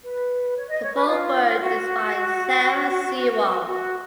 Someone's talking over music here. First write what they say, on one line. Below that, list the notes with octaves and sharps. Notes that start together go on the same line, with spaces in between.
The foreword is by Sarah Sewall.
B4
C#5
D#5
C#5
B4
F4
F#4
F#4
F#4